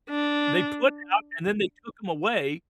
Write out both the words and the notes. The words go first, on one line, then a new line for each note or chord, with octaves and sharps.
they put it out, and then they took 'em away
D4